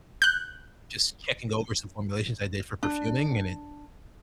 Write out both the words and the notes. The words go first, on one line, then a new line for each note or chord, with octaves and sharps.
just checking over some formulations I did for perfuming and it
F#6 G6
D4